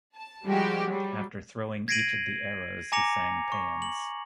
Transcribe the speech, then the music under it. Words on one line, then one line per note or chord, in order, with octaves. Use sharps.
After throwing each of the arrows he sang paeans.
A5
F3 G3 G#3 F#4 G4
F#3 G3
G#6 A#6 C7 D7 D#7 F#7
G#5 A#5 D6 A#6 C#7 F7
C#6
F#7